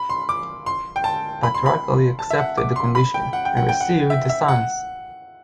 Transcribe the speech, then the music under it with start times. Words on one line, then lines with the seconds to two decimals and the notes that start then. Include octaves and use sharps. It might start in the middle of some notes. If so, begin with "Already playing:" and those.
Patrakali accepted the condition, and received the sons.
Already playing: B5
0.09 C6
0.29 D6
0.66 C6
0.96 G5
1.04 A5
1.43 B5
1.54 C6
1.66 B5
2.19 A5
2.30 E5
2.38 F#5
2.57 D6
2.76 C6
2.95 B5
3.14 G5
3.33 F#5
3.45 G5
3.57 F#5
3.69 G5
3.81 F#5
4.10 E5
4.30 E5
4.48 F#5